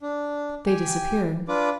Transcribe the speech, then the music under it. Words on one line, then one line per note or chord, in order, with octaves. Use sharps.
They disappeared.
D4
G4 G5 G#5
D4 F4 B4 D6